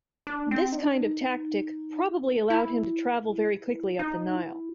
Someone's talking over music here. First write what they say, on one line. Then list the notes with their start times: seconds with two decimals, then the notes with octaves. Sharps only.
This kind of tactic probably allowed him to travel very quickly up the Nile.
0.27 D4
0.51 C4
0.72 D#4
0.77 D4
1.01 D#4
2.50 E4
3.99 D#4
4.36 E4